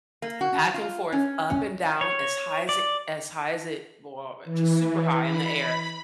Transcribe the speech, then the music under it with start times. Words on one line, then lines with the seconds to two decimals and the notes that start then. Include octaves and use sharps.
back and forth, up and down, as high as it as high as it well, but just super high in the air.
0.22 A#3
0.41 F#4
0.74 F4
1.12 C#4
1.50 C#4
2.01 C#5
2.69 D5
4.45 E3
5.22 B5